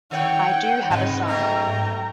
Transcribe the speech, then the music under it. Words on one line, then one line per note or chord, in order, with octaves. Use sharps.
I do have a son.
D#3 C#5 F#5 G5
G#2 C3 B4 D#5
F#3 A3 B3 G5 A#5